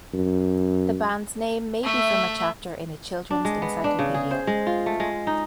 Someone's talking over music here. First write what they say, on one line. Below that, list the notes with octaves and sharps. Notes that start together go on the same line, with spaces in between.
The band's name may be from a chapter in a children's encyclopedia.
F#2
A3 E5
D4
G#3
B3
D4
C#3
G#4
C5
G#3
F4
A3
G#3
D#4